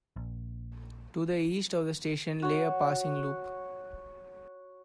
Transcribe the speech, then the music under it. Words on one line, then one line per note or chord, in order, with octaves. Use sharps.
To the east of the station lay a passing loop.
A#1
F#4 C#5